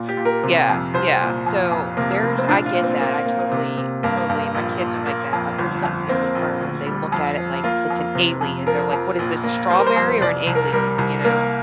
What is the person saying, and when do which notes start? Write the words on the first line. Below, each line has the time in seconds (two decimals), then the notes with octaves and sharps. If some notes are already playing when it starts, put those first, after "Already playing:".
Yeah, yeah. So there's I get that. I totally totally, and my kids are like that. If I put something new in front of them, they look at it like it's an alien. They're like, "What is this, a strawberry or an alien?" You know?
Already playing: A#2
0.09 G4
0.17 A#2
0.25 A#4
0.43 C3
0.69 F2
0.94 C2 C5
1.21 A#2
1.46 F2
1.71 F2
1.97 C3 A#3
2.23 F1
2.38 C4
2.49 A#1 D4
2.66 F4
2.75 A#2
2.83 C4
3.01 A#3
3.26 A#3
3.52 C3
3.78 C3
4.03 G2 A#3
4.30 G2
4.55 A#1
4.80 A#2
5.06 A#3
5.33 F2
5.58 G1
5.83 F2
6.09 A#3 C4
6.35 A#1
6.61 D2
6.87 G3
7.12 F2
7.38 F3
7.64 A#3 F4
7.90 F2
8.15 C3
8.41 F2
8.67 F3 A#4
8.93 F2
9.19 A#1
9.44 A#3
9.70 G3 C5
9.79 A#4
9.87 C5
9.96 F2
10.21 C2 D5
10.47 C2
10.55 A#4
10.73 G3 A#4
10.98 C2
11.24 A#3 A#4